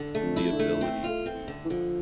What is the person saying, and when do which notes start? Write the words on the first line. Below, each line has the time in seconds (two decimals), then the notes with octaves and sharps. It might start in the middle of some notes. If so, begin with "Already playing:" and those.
the ability to
Already playing: D3
0.15 A3
0.22 F2
0.36 E4
0.52 D3
0.59 A3
0.81 C4
1.04 F4
1.26 C4
1.48 D3
1.64 E3
1.70 D3 F3